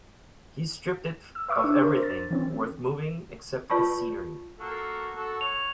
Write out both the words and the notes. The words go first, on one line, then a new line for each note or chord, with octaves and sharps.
He stripped it of everything worth moving, except scenery.
E6
B4 E5 C#6 D6 E6
D4
A#4 C5
A6
E3 C4 C#4
F4 B4 D5 A5 B5 C#6
A#3 F#4 A4
F#4 A4
C#5 F7